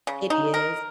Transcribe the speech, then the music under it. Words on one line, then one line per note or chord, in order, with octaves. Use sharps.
It is.
C#3
D#4
A#4